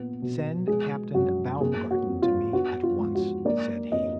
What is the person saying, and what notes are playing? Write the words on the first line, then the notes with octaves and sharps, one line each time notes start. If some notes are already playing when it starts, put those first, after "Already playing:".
"Send Captain Baumgarten to me at once," said he.
Already playing: A#2 B3
B2
G#3 G#4
F#2 F#4
A#3 G#4
F#4
F2
F4
B3 F#4
F4
G#2
F#4
A#3 D5
F2 D#5